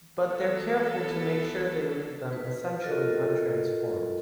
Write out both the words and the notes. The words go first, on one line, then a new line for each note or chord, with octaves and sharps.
But they're careful to make sure they leave them essentially untransformed.
E3 B3 A4
B4
F4 F#4 A4 A#4 D#5